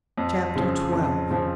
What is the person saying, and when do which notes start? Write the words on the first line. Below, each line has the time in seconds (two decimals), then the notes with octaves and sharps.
Chapter XII.
0.18 F2
0.55 C#3 F3
0.92 F2
1.30 C#3 F3